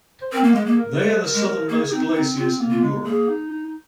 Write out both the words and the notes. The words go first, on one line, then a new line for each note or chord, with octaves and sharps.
They are the southernmost glaciers in Europe.
C5
C4 A#4
A#3
G#3 G#4
A#3
A#4
G#3 C5
A#4
G#3
A#4
A#3 G#4
C4 D#4
C4 D#4
C4 F4
A#3
F4
G#3
A#3 G#4
D#4
D#4
D#4